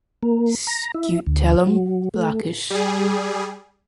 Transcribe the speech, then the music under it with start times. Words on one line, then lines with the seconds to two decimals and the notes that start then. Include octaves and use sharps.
Scutellum blackish.
0.23 A#3
0.67 A#5
0.95 E4
1.27 D2
1.67 F#3
2.14 A3
2.70 G3 G#4